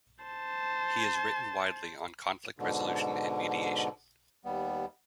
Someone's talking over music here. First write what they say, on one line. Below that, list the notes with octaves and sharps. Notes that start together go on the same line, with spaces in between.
He has written widely on conflict resolution and mediation.
C5 A5
G#2 B2 D3
D#2 G3 B3